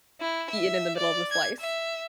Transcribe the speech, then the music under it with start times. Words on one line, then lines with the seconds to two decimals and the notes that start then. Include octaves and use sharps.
eaten in the middle of the slice.
0.21 E4
0.50 E5
0.97 D5
1.31 G#6
1.60 E5